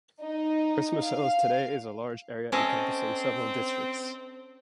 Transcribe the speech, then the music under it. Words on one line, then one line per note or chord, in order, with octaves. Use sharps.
Christmas Hills today is a large area encompassing several districts.
D#4
F5
C4 C#4 A4 D#5